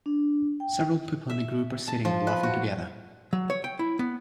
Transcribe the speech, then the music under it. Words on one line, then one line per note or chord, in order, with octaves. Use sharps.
Several people in a group are sitting and laughing together.
D4
G5
E5
A5
F3
B4
F#4
F#3
C#5
G5
E4
B3